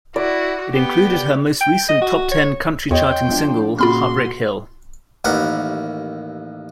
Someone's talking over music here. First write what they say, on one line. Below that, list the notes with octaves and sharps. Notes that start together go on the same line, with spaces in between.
It included her most recent top-ten country-charting single, "Heartbreak Hill".
E4 F#4 D5
B3 G4 G5
G5
D#5
F#4
C#5
E2 C#5 D#5 G5 C6
F3 D4
A#2 C#3 F4 F#4 B5 C6 F6
A1 D#2 A#4 F#5 B5